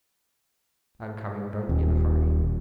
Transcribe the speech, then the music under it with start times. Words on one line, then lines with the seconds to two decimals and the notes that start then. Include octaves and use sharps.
I'm coming; don't be in a hurry.
1.69 D#1